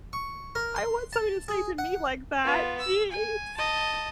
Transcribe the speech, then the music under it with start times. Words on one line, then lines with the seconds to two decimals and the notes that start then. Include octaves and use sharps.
"I want somebody to sing to me like that, geez."
0.13 C#6
0.55 A#4
0.76 C6
1.13 A5
1.48 G#4
1.78 F#5
2.44 B3 F4
2.80 E6
3.11 G#5
3.57 D#5 A5